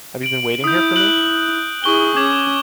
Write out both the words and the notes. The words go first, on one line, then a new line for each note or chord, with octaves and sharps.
Have you been waiting here for me?
D7 F#7
E4 D#6 G6
F#6 D7 F#7
E4 G#4 C#6 G7
C#4 D6 G#6 F#7